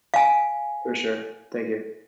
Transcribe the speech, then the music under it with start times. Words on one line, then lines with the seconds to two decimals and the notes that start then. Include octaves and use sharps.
For sure. Thank you.
0.14 F5 G#5